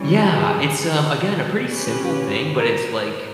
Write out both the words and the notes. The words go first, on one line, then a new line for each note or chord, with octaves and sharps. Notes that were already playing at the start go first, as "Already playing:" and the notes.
Yeah, it's, um, again, a pretty simple thing, but it's like,
Already playing: E3 G3 C#4
G#4
C#4 G4 B4
A#4